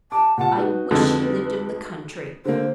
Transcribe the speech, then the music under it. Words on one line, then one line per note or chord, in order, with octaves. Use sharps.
I wish he lived in the country.
A5 D6
A#2 F#5 A5
D#4 F#4 B4
F2 D3 G#3
D3 A#3 C5